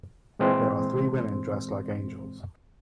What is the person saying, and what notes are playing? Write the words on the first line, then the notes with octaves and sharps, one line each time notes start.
There are three women dressed like angels.
A#2 E3 G#3 C4 C6